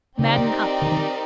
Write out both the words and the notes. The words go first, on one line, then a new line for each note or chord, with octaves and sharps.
Madden up.
C#3 C4 D#4 G4 A#4 D5
D3
D#3